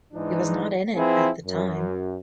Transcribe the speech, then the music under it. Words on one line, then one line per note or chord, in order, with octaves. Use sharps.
He was not in it at the time.
G#2 E3 G#3 D4 D#4
F3 C4 E4 G#4 B4
F#2